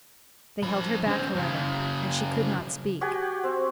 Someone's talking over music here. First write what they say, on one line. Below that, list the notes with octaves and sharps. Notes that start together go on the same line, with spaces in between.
They held her back, however, and she could not speak.
F3 B5
C#4 C5
F#2 C#3
F#4 G4 F#5 G#5
C4